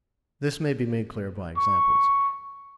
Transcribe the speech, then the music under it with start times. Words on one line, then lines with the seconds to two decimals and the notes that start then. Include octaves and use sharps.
This may be made clear by examples.
1.57 C#6